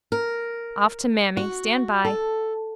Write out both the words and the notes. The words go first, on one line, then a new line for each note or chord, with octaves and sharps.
Off to mammy. Stand by.
A#4
F#4
A4